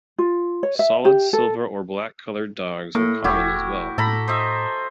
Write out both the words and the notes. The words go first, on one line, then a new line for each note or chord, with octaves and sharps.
Solid silver or black coloured dogs are common as well.
F4
C#5
E5
G4
A4
A2 A#3
E1 E4 F#4 G4
A2 A4 A#5 B5
C5 D#5 E5